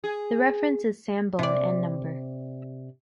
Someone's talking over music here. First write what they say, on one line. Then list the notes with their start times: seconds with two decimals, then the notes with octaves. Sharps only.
The reference is Sambon and number.
0.04 G#4
1.39 C3 D5